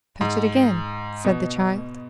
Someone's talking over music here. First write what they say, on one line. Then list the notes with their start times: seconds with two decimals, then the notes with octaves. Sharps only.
"Touch it again," said the child.
0.21 G#2
1.25 B2